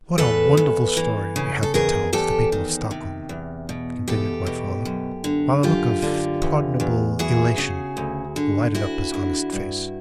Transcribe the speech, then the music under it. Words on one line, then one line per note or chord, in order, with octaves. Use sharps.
"What a wonderful story we have to tell to the people of Stockholm," continued my father, while a look of pardonable elation lighted up his honest face.
E2 A4 B4
E2
E3
C#3
A4
E2 G#4 A#4
E2 G4 A4
D#3
C3
E2
B2
E2 G4 A4
B2
F#2
D3
F#2 F4 G4
D3
E2
E2
E3 F#4 G#4
C#3
D2
D3
D2 E4 F#4
D3
G2